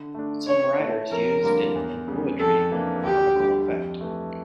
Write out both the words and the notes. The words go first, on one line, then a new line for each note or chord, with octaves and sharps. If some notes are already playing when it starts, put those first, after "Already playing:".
Some writers used it in poetry for comical effect.
Already playing: D3
A3 D4
E3 C#5
A3 E4
F2 A#4
D3 G3 A#3
E2
C#3 G3
F2 A4
E3 A#3 D4
D2 G4
D3 G3
F2
E3 A3